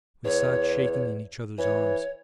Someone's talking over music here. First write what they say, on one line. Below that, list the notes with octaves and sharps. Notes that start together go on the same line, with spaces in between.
We sat shaking in each other's arms.
E2 C#5
E3 C#5